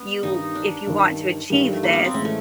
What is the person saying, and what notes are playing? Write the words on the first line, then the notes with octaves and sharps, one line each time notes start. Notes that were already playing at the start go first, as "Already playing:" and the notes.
you if you want to achieve this,
Already playing: B3
G2 D#3 G3 D#4
D4
G2 D#3 G3
G2 D#3 G3
A3
A#3
B3
C4
A2 E3 G#3 C#4
A3